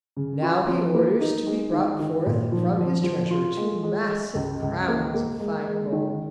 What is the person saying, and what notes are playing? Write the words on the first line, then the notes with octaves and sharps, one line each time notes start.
Now he orders to be brought forth from his treasure two massive crowns of fine gold.
C#3
F4
F3
A#3
D#4
G#3
D#3
D#3
A#2
F3
F3
F3
F4
G#3
G#3
G#3
C#2
C#2
A#3
A#3
G#3
G#3
D#3